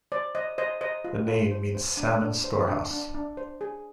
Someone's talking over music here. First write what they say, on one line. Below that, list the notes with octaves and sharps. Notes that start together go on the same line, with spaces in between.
The name means "salmon storehouse".
C5 D5
C5 D#5
C5 D#5
C5 D#5
F4
F4
C5
C5
D4
D4
C5
D4
D4
D4
C5
G#4